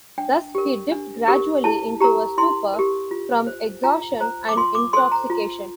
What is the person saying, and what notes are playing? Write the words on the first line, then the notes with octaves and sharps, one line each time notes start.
Thus he dipped gradually into a stupor, from exhaustion and intoxication.
D4 G5
G4 A#4
D4
G4 A#4
E4 A5
G4 A#4 A#5
E4 C6
A#4
G4
F4
C5
F4 A#5
C5 A#5
D6
F4 C6
D6
A4 C5 C6
A#5
F4